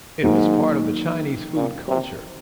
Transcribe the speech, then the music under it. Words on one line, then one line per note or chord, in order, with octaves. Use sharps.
It was part of the Chinese food culture.
G#2 D#3 F#3 A#3
A#2
C3